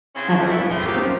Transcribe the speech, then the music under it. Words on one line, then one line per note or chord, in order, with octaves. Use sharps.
That's so sweet.
C#3 C4 C#4 E4 F4 G#4
F2
E3 A3 E4
E2 B2 F3 G#3 A3 C4
A#2 F#3 A#3 D#4 G4
F3